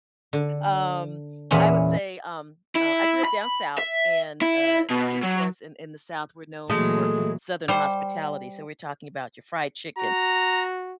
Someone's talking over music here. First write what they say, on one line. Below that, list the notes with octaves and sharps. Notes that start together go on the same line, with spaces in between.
um, I would say, um, uh, I grew up down south, and, uh, of course, in in the South, we're known for southern hospitality, so we're talking about your fried chicken,
D3
E2 A#2 E3 B3 C#4
E4
B5
E5
E4
B2
F#3
A#2 E3 F#3 G#3 A3
G3 C5
F#4 A#5